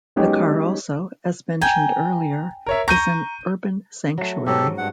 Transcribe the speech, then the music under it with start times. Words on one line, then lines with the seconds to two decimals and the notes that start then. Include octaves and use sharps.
The car also, as mentioned earlier, is an "Urban Sanctuary".
0.16 F#3 G#3 B3 C#4 D#4 G4
1.61 G5 G#5 A#5
2.66 A#4 C#5 E5
2.88 A#5 C#6 G6 D#7
4.18 F#3 A3
4.46 G#2 F#3 C#4 G4 A4
4.78 G2 F#5